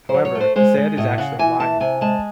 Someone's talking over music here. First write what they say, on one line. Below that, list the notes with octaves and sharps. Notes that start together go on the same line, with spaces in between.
However, Zedd is actually lying.
C5
F#3
C#5
A3
C5
G#3 C5
G#3
A2 D#5
C#3 F#5
E3 G#5
E3 A5
C3 G#5
G#3 A5